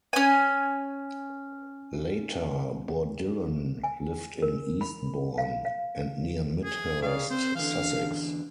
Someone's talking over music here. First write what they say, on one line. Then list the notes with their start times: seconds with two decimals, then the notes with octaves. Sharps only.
Later Bourdillon lived in Eastbourne, and near Midhurst, Sussex.
0.13 C#4 G#5
3.84 G#5
4.42 A#4
4.81 B5
5.38 F5
5.65 F5
6.64 G#4
7.02 C3 G#4 D5 F5
7.30 C4 C5
7.55 E2 D3 F5